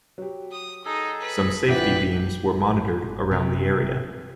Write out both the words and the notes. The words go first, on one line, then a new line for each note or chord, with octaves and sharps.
Some safety beams were monitored around the area.
F#3 G4
D#6
D#4 G#4 A4 D#5
B4
A#1 E3 B4 D5 F#5 G5
C3